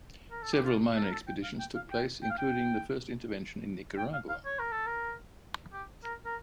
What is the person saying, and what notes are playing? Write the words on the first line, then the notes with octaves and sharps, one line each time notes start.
Several minor expeditions took place, including the first intervention in Nicaragua.
A#4
A4
G4
F4
A4
A#4
A4
G5
F5
G5
F5
G5
G5
F5
G5
G5
F5
F5
C#5
A#4
A4
A#4
G4
A#4
A#4